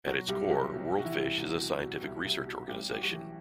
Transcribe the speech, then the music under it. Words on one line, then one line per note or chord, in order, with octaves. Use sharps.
At its core, WorldFish is a scientific research organization.
B2 F#3 F#4
C2 G3 G4
C2 F#3 F#4
B2
B2 F#4
E3 E4
C2
C2
B2
B2
C2
C2
B2
A1 G3 G4
A1 G4
F#3 F#4
E3